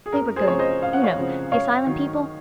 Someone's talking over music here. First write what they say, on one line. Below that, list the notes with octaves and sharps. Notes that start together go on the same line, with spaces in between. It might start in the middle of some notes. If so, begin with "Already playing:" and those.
They were good, you know--the asylum people.
G#4
F#2 A#4
G#4 C5
C#3 F3 C4 C#5
C5 D#5
F#2 F5
F#5
C#5 F5
C#3 F3 C4
F#2 C#5 F5
D#3 F#3